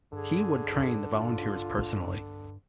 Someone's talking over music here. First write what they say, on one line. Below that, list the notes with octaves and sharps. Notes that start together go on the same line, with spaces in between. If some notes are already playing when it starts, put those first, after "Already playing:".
He would train the volunteers personally.
G2 D3 G#4
F4